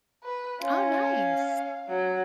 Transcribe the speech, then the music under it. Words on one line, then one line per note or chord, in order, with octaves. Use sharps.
Oh, nice.
B4
C#4 F4
F5
F#3